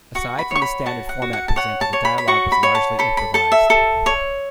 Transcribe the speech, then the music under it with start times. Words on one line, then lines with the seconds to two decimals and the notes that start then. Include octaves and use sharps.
Aside from the standard format presented, the dialogue was largely improvised.
0.15 F#4 C#6
0.39 B5
0.51 C#5 C#6
0.62 B5
0.86 F#4 A5
1.09 F#5
1.22 F#4
1.33 F#5
1.48 A5
1.56 C#5 F#5
1.81 A5
1.93 C#5
2.05 B5
2.18 B5
2.28 F#4 C#6
2.52 B5
2.63 C#5
2.75 A5
2.99 A4 B5
3.17 B5
3.34 A4 A5
3.52 E5
3.70 A4
4.06 C#5